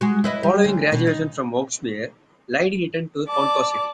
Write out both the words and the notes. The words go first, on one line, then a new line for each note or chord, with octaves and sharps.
Following graduation from Oaksmere, Lydie returned to Ponca City.
G#3 F#4
E4 B4 D#5
G3
D2
B2
D#4
D5 A5 D6